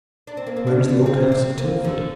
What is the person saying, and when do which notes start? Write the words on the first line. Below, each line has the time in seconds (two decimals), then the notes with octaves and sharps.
Where is the old house of Tilford?
0.27 D4
0.37 C4
0.47 A#3
0.57 C4
0.67 D4
1.06 C4
1.32 C4
1.58 A#3
1.84 D3